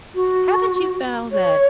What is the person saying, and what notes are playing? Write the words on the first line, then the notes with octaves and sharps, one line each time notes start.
haven't you found that,
F#4
C#5